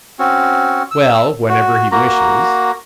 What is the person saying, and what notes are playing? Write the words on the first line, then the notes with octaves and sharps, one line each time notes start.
"Well, whenever he wishes?"
C4 C#4 F#4
E6
F#4
A#3 F#4 A#5